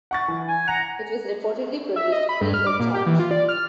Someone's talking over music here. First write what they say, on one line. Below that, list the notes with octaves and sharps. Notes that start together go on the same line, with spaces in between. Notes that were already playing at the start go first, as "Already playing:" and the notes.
It was reportedly produced "free of charge".
F#5 C#6 A6
E3
G#5
F#5 A#5 F7
E5
D#5
B5
G2
F6
D6
A#2
G4
E3
F4
D5
F6